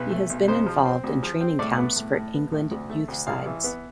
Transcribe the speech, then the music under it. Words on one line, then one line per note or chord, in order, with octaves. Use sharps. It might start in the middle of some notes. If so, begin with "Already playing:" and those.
He has been involved in training camps for England youth sides.
Already playing: B1 B4
A3
B1
F2 C5
F3
C4
D2
F3
C4
A2 D5
B3
A2
A2
B3
A2
D2
A3
D2
A1 F5
E3
B3